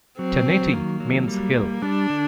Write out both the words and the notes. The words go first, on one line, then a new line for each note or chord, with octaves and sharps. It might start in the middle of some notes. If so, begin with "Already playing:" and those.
"Tanety" means hill.
F#3 C4
F#3
D#3 A#3
F#3
G3 A#3
G3
G3 D4
D3